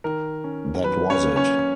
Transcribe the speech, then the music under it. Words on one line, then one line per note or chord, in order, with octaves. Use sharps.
That was it.
D#3 A#4
C#4
F#3 B4
C#4 C#5
A#3
C#4 C#5